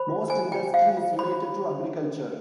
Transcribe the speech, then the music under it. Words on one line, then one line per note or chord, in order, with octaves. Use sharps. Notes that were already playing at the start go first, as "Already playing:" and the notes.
Most industry is related to agriculture.
Already playing: C5 B5
F4
C5 G#5
F4 G5
C5 F5
F4 F5
C5 B5
F4